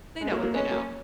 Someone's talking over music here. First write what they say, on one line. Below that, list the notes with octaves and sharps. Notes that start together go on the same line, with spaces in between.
they know what they know,
G#3
F#3 A#3
F#3 A#3
G#3 B3 C#4
F#3 A#3